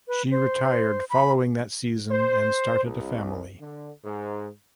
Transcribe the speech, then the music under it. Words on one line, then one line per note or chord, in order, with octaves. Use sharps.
She retired following that season and started a family.
B4
C5
B5
C5
C2
D3
G#2